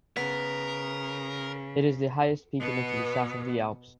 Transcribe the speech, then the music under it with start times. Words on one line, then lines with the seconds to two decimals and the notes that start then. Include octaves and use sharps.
It is the highest peak in Italy south of the Alps.
0.17 C#3 B3 A#4 B6
2.60 B2 B3